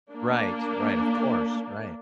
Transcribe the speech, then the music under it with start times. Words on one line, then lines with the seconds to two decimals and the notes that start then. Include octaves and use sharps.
Right, right, of course, right.
0.11 A#3 D4